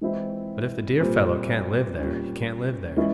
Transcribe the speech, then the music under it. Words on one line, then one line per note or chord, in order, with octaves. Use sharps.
But if the dear fellow can't live there, he can't live there.
E3 G#3 C4 E4
A#2 G3 C4
A#2 G3 C#4
E3 G#3 C#4 E4